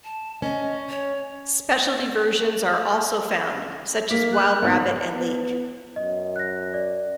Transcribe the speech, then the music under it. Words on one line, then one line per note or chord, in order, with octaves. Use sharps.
Specialty versions are also found, such as wild rabbit and leek.
A5
C#4 D#5
C#5
A#3 B6
F#6
G#1 B3
B3
F#2 D#5
F#6 A#6
D5